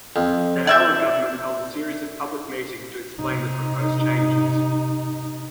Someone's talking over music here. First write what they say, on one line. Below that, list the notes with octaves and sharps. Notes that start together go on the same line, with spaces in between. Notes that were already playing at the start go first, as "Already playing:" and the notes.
The Howard Government held a series of public meetings to explain the proposed changes.
F2
D5 E5 G6
C3 D#4